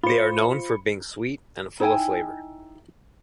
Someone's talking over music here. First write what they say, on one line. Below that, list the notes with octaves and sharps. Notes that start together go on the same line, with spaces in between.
They are known for being sweet and full of flavour.
F4 C5 B5 C#7
D#4 E4 G5 G#5